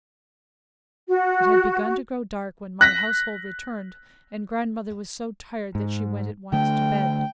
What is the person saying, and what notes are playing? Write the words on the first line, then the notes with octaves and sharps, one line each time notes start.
It had begun to grow dark when my household returned, and grandmother was so tired that she went at once to bed.
F#4
F#6 A#6 B6
G#2
D3 A3 G5